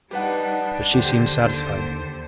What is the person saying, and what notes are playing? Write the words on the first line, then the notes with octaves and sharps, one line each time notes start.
But she seemed satisfied.
G3 D4 D#4 G4 B4 F#5
D#2 D3 G4 C5